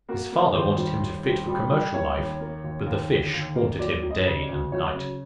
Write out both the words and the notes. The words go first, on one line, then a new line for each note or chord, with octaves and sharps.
His father wanted him to fit for commercial life, but the fish haunted him day and night.
A#3 F#4
A#3
D#2 C5
G3
D#2
G3
G3
G3
A#3 C#5
D#2
A#3
D#2
D#2
D3
D#2
A#3
F#3 D5
F#3
D#5
C#3
D5
D2
F#3 C#5
C#3